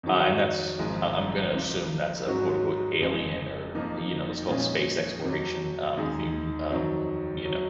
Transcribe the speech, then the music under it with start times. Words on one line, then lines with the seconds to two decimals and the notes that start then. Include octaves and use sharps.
Uh, and that's I I'm gonna assume that's a quote unquote, "alien" or, you know, let's call it space exploration, um, themed, um, you know.
0.03 F2 D#3 F#3 C#4 G#4
0.79 G#1 G#2 F3 G#3
1.52 C#2 C3 F3
2.26 G#2 F#3 C#4 F#4
3.00 F1 F2 C#3 G#3
3.75 F2 C3 F3 A#3 D#4
4.49 A#2 F3 G#3 C#4 G#4
5.22 F2 C3 F#3 C4
5.97 D#2 D#3 G#3 D#4 G#4
6.71 F2 D#3 F#3 C4
7.45 F#3